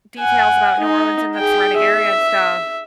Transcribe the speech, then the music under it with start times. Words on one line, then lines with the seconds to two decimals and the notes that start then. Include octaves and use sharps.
details about New Orleans and the surrounding area and stuff,
0.19 F#5 G#5
0.79 D#4
1.36 G#4 G5
1.77 E5